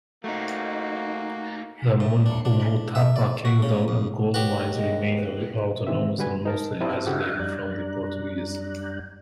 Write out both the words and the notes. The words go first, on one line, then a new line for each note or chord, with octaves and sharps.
The Munhumutapa Kingdom and gold mines remained autonomous and mostly isolated from the Portuguese.
A3 A#3 D#4 F#4
A2
D4
D4
E5
D5
F#4
C#3
F2
D#2 F#4 G4 B4 C#5
G#3 D#5
B4
B2 D#3 E3 C4 E5
D3 G3 F#4 B4 G#5
D#4 A#4 A5
C4 E4 G4 C5 A5 A#5
C#3 E4 F#4 G4 A4
F#2 G3 D4 D5 A#5 F#6